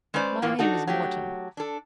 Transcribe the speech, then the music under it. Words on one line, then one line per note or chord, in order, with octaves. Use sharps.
"My name is Morton."
G#3 C#4 B4 C5 D5
A2 E3 A#3 F4
D4 D#4 F#4 A4
F#3 A3 G4
D4 A4